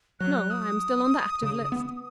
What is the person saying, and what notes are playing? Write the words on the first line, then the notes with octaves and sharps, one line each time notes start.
"No, I am still on the active list."
F#3 F#6
D#6
C#3
B3